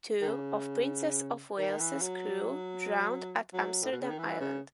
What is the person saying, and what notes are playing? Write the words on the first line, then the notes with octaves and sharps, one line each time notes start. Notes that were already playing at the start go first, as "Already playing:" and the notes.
Two of "Princess of Wales"s crew drowned at Amsterdam Island.
D#3
C#3
D#3
E3
F#3
F#3
A2
B2
C#3
D#3
E3
C#3